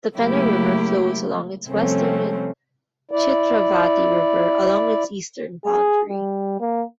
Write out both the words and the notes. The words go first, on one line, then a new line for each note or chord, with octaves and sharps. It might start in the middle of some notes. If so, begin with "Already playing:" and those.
The Penner River flows along its western and Chitravati river along its eastern boundary.
C#3 F#3 A3 A#3 E4 G4
C3 F3 G3 A3 C4 C#4
E4 D5
G#4
G3
A#3